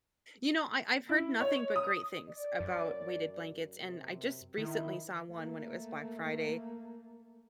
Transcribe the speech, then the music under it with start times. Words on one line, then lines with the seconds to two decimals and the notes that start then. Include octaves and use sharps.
You know, I I've heard nothing but great things about weighted blankets, and I just recently saw one when it was Black Friday,
1.09 E4
1.40 C#5
1.76 D#6
2.29 D5
2.60 F#2
3.84 C3
4.58 D#3 E4
5.30 A3 A#3